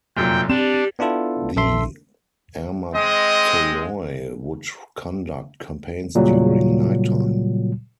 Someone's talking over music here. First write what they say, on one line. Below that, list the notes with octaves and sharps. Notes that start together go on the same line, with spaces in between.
The armatoloi would conduct campaigns during nighttime.
F1 F#2 A#2 G5
G3 C4 D4 E7
B3 D4 E4 F4 A4
A#1 A4 E5 C6
G#3 C4 D#5
A#2 C#3 F#3 G3